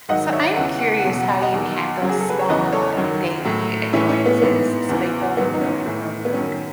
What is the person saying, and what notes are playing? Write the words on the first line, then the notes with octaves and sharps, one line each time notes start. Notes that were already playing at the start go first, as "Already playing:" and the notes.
So, I'm curious how you handle small, daily, annoyances so they don't ruin your mood.
G#2 D#3 F#3 D#5 F#5
C#5 E5
E2 C#3 E3 F#5
F#5
F#5
E2 B2 F#3
F#5
D#5 F#5
E2 D#3 F#3
F#2 C#3 F#3
G#4
A4
B4
C#5
E2 C#3 E3 B4 D#5
A4 C#5
F#2 D#3 F#3
A2 F#3
A2 E3 C#4 E4
C#4
B3
G#2 E3 B3
E2 C#3 E3
G#2 D#3 F#3 B3
D#4
C#4
A2 E3
B3
F#2 D#3 F#3 C#4